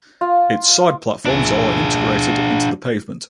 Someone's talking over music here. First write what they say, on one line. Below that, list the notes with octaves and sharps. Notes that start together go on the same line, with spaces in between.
Its side platforms are integrated into the pavement.
F4
D4 G#4